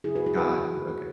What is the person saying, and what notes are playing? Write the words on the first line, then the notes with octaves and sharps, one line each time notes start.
Got you. Okay.
C#3 F#3 E4 G#4
F#4 B4
E4 G#4
F#4 B4